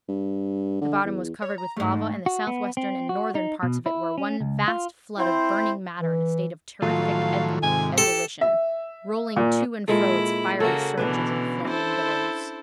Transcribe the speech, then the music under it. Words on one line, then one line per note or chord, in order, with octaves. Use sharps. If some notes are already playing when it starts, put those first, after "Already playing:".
The bottom was covered with lava, and the southwestern and northern parts of it were one vast flood of burning matter in a state of terrific ebullition, rolling to and fro its 'fiery surges' and flaming billows.
G2
D3
E2
C#5
A#5
E2 G#2 A3
F#4
B3
C4
F#4
D#4
B2
E4
C#4
C#2
F4
C4 E4 C5
E3
A2 D#3 F3 F#3 F4 A4 F5
G#2 C3 G#5
G4 A4
E5
A#2
A#2 G#3 E4 A4
C#3 A#3 F#4 A4 E5
B2 D3 E3 C#4 D4 B4
E4 A4 C5